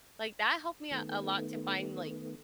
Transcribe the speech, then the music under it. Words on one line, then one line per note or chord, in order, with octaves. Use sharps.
like, that helped me out a lot to find, like,
D#3 A3 B3